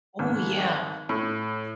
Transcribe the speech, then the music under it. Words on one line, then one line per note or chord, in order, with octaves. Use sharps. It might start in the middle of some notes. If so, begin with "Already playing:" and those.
Oh, yeah.
G#1
A2